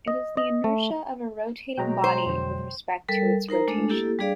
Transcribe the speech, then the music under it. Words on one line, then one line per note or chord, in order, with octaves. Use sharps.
It is the inertia of a rotating body with respect to its rotation.
D#5
D#5
A3
B2 F#3 G#3 G5 A#5
C5
F2 D3 G5
G3 A4 A#4
D#4 A#4 C5 A#5
G#3 A3 D4 A4
A#3 E4 G4 A4
G3 D4 G#4 D5 F5